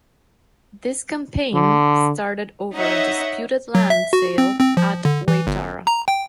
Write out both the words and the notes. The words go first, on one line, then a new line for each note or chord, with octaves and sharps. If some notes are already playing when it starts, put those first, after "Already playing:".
This campaign started over a disputed land sale at Waitara.
D3
D#4 C#5 D#5 E5 F#5
F#3
E5
F#4
C4
C4
F3
D3
E3
G1
A#5
G5